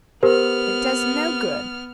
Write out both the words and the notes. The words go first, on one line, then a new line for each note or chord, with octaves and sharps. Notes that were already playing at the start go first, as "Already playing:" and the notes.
It does no good.
B3 G4 A#4 C5 F6